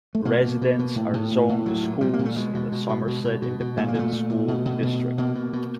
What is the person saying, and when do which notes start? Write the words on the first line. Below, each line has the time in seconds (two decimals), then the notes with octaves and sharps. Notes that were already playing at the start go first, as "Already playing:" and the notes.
Residents are zoned to schools in the Somerset Independent School District.
0.15 A3
0.25 B2 A#3
0.43 B2
0.62 B2
0.79 B2
0.96 A2
1.14 A2
1.32 A2
1.49 A2
1.66 A#2 F#3
1.83 A#2
2.01 A#2 G3
2.14 A#3
2.19 A#2
2.25 A3
2.36 B2 G#3
2.54 B2
2.72 B2
2.89 B2
3.07 B2
3.24 B2
3.42 B2
3.60 B2
3.77 A#2 A3
3.88 A#3
3.94 A#2 A3
4.12 A#2
4.29 A#2
4.48 B2
4.65 B2
4.83 B2
5.00 B2
5.18 B2 A#3
5.35 B2
5.53 B2